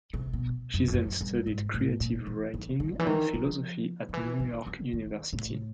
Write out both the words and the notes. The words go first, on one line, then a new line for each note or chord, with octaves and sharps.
She then studied creative writing and philosophy at New York University.
C3
B2
F#2
F2
F#2
G2
G#2
A2
A#2
E3
D#3
D3
E3
D#3
F3
D#3
E3
D#3
D3
D#3
A2